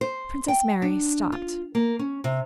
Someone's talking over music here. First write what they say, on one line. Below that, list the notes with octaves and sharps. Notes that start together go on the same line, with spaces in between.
Princess Mary stopped.
C5
G5
D4
F4
A#3
C#4
C3